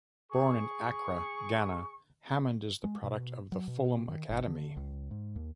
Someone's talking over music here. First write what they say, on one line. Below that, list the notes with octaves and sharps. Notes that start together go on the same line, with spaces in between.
Born in Accra, Ghana, Hammond is a product of the Fulham Academy.
G#4 C#6
G#3
B2
F#3
B2
D#3
G1
D3
C#2
G#2
D#2